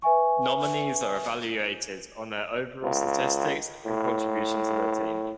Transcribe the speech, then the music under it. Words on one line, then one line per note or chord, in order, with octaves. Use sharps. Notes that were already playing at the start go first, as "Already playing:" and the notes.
Nominees are evaluated on their overall statistics and contribution to the team.
B4 E5 G#5 C#6
C#2
A2